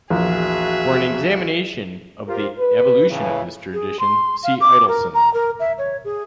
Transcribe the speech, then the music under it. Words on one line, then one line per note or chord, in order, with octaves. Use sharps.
For an examination of the evolution of this tradition, see Idelsohn.
A#1 E2 F#4 G#4 E5
F4 G4 A#4 C5
B4
A2 C#3 E3
G#4
C6
F5
D6
A#4
A#5
A#4
E5
C#5
G#4